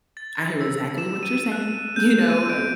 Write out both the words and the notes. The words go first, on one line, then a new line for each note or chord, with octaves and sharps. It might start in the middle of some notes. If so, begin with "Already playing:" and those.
I hear exactly what you're saying," you know, like,
A6
E6
E7
D#7
F#6
G6
D#7
D7